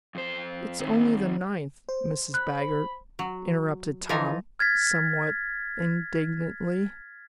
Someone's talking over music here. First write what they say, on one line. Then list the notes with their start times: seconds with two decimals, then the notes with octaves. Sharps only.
"It's only the ninth, Mrs. Baggert," interrupted Tom, somewhat indignantly.
0.15 F2 C5
0.80 D#3 C4
1.89 C5
2.34 B5 F#6
3.19 F#3
4.09 E3 F3 D#4 A4 G#5 A#5
4.59 F6 G#6 A6 B6